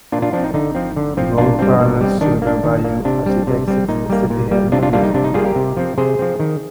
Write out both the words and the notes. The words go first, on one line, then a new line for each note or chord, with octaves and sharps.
The road parallels Silver Bayou as it exits the city heading east.
A#2 D4 F4
D4 F4
F3 C4 D4
D#4
D3 D#4
F3 C4
D3
F3 C4
A#2 D4 F4
G3 C4
A#2
G3 C4
D#3 D4
A#3 D4
D#3
A#3
C3 D4
G3 C4
C3
G3 C4
A#2 D#4
G3 A#3
A#2
G3 A#3
C3 D4 F4
D4 F4
G3 A#3 D4 F4
D#4
C3 D4
D#4
G3 A#3 F4 G#4
G4 A#4
C3
F3 C4
C3 G#4 C5
F3 C4
D#3